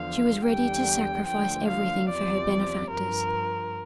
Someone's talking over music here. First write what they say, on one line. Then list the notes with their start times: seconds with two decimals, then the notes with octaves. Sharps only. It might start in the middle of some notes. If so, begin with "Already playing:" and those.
She was ready to sacrifice everything for her benefactors.
Already playing: E2 D3 F3 F5
0.47 E2 D3 G3 G5
1.28 D2 D3 F3 G5
1.69 F5
2.10 E2 C3 F3 D5
2.91 G2 F3 A#4